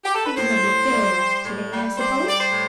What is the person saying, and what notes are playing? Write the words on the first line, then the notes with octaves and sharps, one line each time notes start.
"Thinking of your failure of to-day, I suppose?"
G4
A4
B4
A2 C5
A2
G3
G3
A2
G3
G3 C5
G3 D5
C5
A2